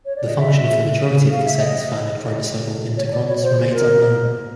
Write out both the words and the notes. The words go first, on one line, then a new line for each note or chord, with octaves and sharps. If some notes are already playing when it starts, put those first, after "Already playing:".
The function of the majority of cassettes found in chromosomal integrons remains unknown.
C#5
D5
D#5
E5
F5
E5
D#5
C#5
D5
C#5
C5
A#4